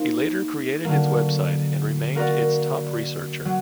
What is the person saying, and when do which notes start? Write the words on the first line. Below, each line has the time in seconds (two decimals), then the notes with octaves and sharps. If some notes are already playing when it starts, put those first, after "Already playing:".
He later created its website and remained its top researcher.
Already playing: A#3 D#4 C5
0.84 D3 F#3 A#3
2.15 A#3 F#4 A#4 D5
3.45 F#3